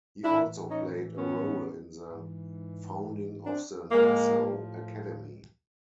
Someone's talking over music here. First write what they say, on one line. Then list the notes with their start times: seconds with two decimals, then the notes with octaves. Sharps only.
He also played a role in the founding of the Nassau Academy.
0.23 A2 E3 D4 E4
0.68 C#4 D#4
1.14 B3 C#4
2.07 G#2 E3
3.45 C4 D4
3.91 A2 F3 G#3 A#3